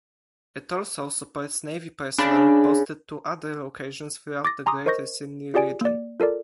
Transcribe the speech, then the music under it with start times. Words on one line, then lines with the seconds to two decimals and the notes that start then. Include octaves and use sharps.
It also supports navy personnel posted to other locations throughout the greater Sydney region.
2.18 C#3 D4 B5
4.45 D6 A6 A#6
4.66 G#5 A#5 C6 D6 D#6
4.86 A#4 C5 D#5 C#6 G6 A#6
5.54 F4 G4 G#4 D5 G#5 D7
5.81 A#3 D5
6.20 F4 A4 A#4 D5